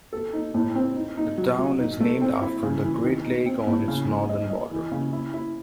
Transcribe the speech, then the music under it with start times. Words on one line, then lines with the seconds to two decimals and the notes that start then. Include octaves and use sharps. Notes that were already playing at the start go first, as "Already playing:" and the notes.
The town is named after the Great Lake on its northern border.
0.13 A4
0.33 D#4
0.54 A2
0.75 C4
0.96 D#4
1.17 D#4
1.38 F#3
1.59 F#3
1.79 D#4
2.00 A3
2.21 C4
2.42 E4
2.63 C#3
2.83 E3
3.04 D#3
3.25 D#4
3.46 C4
3.67 A2
3.88 C#3
4.09 G#3
4.29 D#5
4.50 D#5
4.71 E3
4.92 C#3
5.13 E4
5.34 E4